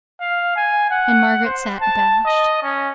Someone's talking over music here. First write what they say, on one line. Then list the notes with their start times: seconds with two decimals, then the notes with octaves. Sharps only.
And Margaret sate abashed.
0.20 F5
0.56 G#5
0.91 F#5
1.45 C5
1.81 A5
2.25 D#5
2.63 C#4